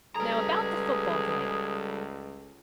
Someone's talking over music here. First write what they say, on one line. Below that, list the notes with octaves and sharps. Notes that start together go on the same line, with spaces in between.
Now about the football game.
C#2 G3 G#4 A4 B4 A#5